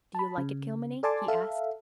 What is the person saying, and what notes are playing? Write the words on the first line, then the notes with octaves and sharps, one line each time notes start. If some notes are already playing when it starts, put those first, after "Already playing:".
"Do you like it, Kilmeny?" he asked.
A5 B5
C#3
A4 D5 G#5 A5 C6 D6
A4 E5 F5